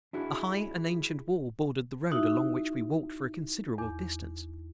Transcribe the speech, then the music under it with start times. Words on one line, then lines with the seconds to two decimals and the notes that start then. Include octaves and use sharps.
A high and ancient wall bordered the road along which we walked for a considerable distance.
0.13 D4 E4 F#4 G#4
2.12 D#4 E4 F#4 E5
3.78 E2 D6